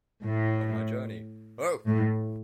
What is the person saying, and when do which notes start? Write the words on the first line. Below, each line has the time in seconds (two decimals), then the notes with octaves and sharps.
On my journey - oh!
0.24 A2
1.86 A2